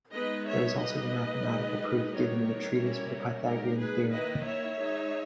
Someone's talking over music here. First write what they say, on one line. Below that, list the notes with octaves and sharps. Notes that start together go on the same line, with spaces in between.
There is also the mathematical proof given in the treatise for the Pythagorean theorem.
G#3 B3 D#4 B4 D#5
C#5 E5
G3 A#3 D#4 B4 D#5
D#3 G#3 D#4
D#3 G3 B3 A#4 C#5
G3 C#4 E4
G#3 D#4 G4 A#4
G#4 B4
D#3 A#3 E4 B4 D#5
C#5 E5
G#3 D#4